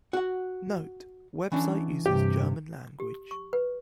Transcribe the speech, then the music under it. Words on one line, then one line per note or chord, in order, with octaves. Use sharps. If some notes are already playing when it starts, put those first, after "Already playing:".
Note- Website uses German language.
F#4 F#5
E3 C#4 D4
G2 C3 G4
G4
C#6
B4